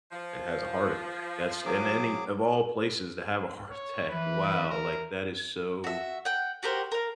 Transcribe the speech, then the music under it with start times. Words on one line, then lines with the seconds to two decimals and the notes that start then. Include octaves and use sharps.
and has a heart attack, that's in any of all places to have a heart attack, wow, like, that is so
0.12 F3
1.65 F#3 G#4 D6
3.70 C#5
4.08 E3 B4
4.70 A#4
5.84 F#4 E5
6.25 F#5 G5
6.63 F#4 G4 A#4 C5
6.92 A#4 F5